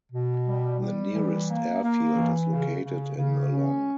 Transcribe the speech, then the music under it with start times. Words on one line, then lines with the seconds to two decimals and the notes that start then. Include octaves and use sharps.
The nearest airfield is located in Along.
0.13 B2
0.47 G3
0.80 G3
1.14 E3
1.48 A#3
1.82 A#3
2.16 E3
2.50 C#3
2.83 C#3
3.18 C#3
3.52 C#4